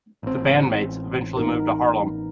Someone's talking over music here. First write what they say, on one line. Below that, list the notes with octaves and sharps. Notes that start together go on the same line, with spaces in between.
The bandmates eventually moved to Harlem.
A1 C4
B3 D#4 A#4